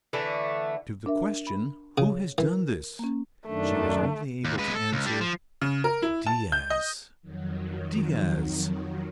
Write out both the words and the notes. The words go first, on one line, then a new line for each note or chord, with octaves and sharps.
To the question, "Who has done this?" she was only able to answer, "Diaz--Diaz!"
D3 E3 A3
D4 A#4 E5
B5
C#3 C#5
E3 A#4
A#3 C#4
F#2 D#3 A3 D4
D#2
G#3 B4
A4
C#2
G3 D4
F3
C#3
A#4
E4
A5
G6
D#5
F2 D#3 F#3